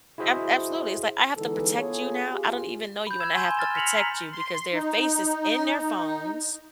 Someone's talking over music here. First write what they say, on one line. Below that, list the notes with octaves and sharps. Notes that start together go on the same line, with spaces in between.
Ab absolutely, it's like, "I have to protect you now, I don't even know you, and I have to protect you because their faces in their phones"
E4 F#4 G#4 C5 D#5 E5
D3 E3 G#3 B3 D#4 A4
B3 F4 G#4 A4 C#5
F4 G4 G#4
B5 G6
E6 G#6 E7
G#5 C6 G6 G7
F6 A6 E7
A#6 B6 C#7 F7 F#7
A#5 B6
C6
D#4